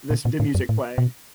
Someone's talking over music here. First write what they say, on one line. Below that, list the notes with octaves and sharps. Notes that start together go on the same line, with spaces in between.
this the music playing,
A#2
A#2
A2
F#2
A2
B2